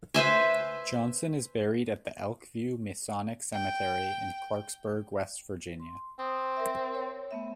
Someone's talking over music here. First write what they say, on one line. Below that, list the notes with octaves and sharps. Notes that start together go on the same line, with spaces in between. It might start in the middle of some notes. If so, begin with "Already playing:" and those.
Johnson is buried at the Elkview Masonic Cemetery in Clarksburg, West Virginia.
B4 C5 E5 G#5
G5
C6
C4 D#6
A#4 E5
C#5
A3 B3 E5